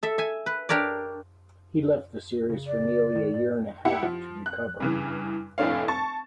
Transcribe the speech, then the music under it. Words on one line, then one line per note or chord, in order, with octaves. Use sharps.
He left the series for nearly a year and a half to recover.
A4 E5
E5 G#5
B4
D4 G4 A#4 C#5 D5
C#3
D5
D#3
A2
E4 G4 F#5
F3
F#6
G2 C#3 E3
F1 A2 A3 D4 C#5 F5
A5 C#6 A6